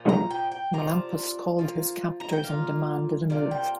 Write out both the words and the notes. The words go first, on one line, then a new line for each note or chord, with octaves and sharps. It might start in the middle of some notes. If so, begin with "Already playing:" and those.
Melampus called his captors and demanded a move.
Already playing: A#2 F3
A#5
G5
G5
C3 F3 D4 F4 A#5
F3 A#3 F4
A#5
G5
A#2 A#3 F4 F5
C3 A#3 F4 D5
G5